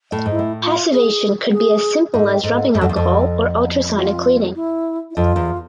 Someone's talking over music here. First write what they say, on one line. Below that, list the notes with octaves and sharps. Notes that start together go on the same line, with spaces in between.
Passivation could be as simple as rubbing alcohol or ultrasonic cleaning.
A2
G#2
E4
A2
F4
G#4
G#4
G#2 A4
G#2 A4
G#2
F2
E2
F2
F4
E4
E4
F2 F4
E2